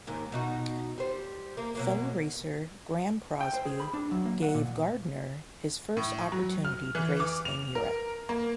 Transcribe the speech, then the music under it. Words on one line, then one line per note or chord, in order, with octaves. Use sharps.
Fellow racer, Graeme Crosby gave Gardner his first opportunity to race in Europe.
D#2 G#2 D#3
B2 D#4 F#4
G3 C5
A#3
B2 F#3 A#3
G5
C5
G#4
B5
D4
F#3
A#3
F#5
A#2
A2
F#3
F6
E3
D6
F7
A#4
A#3